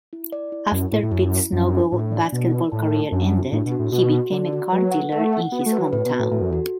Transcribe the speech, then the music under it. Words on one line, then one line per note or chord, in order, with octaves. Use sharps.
After Pittsnogle's basketball career ended, he became a car dealer in his hometown.
E4
D5
E4
F#2 E4
A2 E4
A2
F#2 E4
E4
F#2 D4
D4
A2 D4
D5
B2 D5
D5
A2 A5
A5
F#2 D4
F#4
A2 D4
B2
F#4
A2
B2 F#4
F#4
D3 D5
F#4
F#3 B4
F#5
A3 F#5
F#5
B3 F#4
A3
B4
F#3
A2 B4
B2
F#4
A2
A2 A4
F#2
E2 F#4